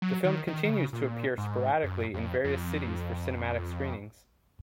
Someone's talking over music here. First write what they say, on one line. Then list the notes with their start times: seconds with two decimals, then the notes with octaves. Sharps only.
The film continues to appear sporadically in various cities for cinematic screenings.
0.02 F#3
0.24 D#3
0.47 D#3
0.65 D#3
0.70 C#3
0.93 A#2
1.38 G#2
1.83 F#2
2.14 F2
2.44 F2